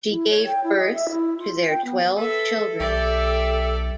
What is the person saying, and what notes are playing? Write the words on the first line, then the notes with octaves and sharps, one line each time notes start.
She gave birth to their twelve children.
E4
C#5
G5
E4
D#5
E5
E4
F4
G5
B3
A4 B4 E5
B1 G4 D5 E5 G5